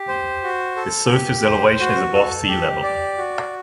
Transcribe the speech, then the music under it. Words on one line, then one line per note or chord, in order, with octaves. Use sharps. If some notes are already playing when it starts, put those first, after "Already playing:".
Its surface elevation is above sea level.
Already playing: G4
C5
F#4
A4
G4
C5
F#4
A4
G4
D5
F#4